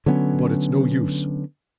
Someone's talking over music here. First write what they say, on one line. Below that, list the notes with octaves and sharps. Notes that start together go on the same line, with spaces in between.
But it's no use.
D3 F#3 B3 C#4